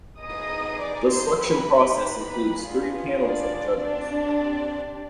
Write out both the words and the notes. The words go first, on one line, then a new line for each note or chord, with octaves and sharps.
The selection process includes three panels of judges.
B3 D#4 G#4 D#5 D#6
D5 D6
C5 C6
B3 D#4 G4 B4 B5
B4 B5
B3 D4 F4 G#4
D4 D5
C4 D4 G4 D5